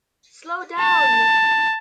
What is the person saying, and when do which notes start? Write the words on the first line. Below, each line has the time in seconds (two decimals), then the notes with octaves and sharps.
Slow down!
0.80 A5